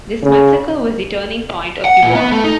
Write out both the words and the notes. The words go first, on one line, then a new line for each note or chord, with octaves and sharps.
This massacre was the turning point of the war.
C#3
F#5
A#2
B3
A3
D#4